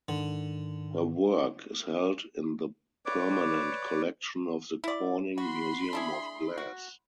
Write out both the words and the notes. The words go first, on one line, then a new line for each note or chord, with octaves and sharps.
Her work is held in the permanent collection of the Corning Museum of Glass.
G#2 D3 D#3
B4 C#5 D5 D6
E4 D5
F#4 B5 C6
D4 E4 G#4
F#4